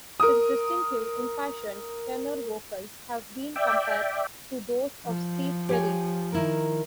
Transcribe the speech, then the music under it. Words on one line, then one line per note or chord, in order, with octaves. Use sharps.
His distinctive, impassioned tenor vocals have been compared to those of Steve Perry.
A#4 D#6
D5 E5 G5
F3
G4 C#5 G#5
D#3 E4 A#4